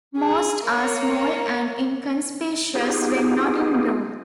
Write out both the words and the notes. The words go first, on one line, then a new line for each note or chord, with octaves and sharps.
Most are small and inconspicuous when not in bloom.
G#4
A#3 C#5
B3 D#4 F4 G4 G#4